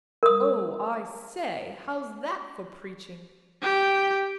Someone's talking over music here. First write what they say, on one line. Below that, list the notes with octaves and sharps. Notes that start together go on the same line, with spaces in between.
'Oh, I say; how's that for preaching?
A#4 D#6
G4 G5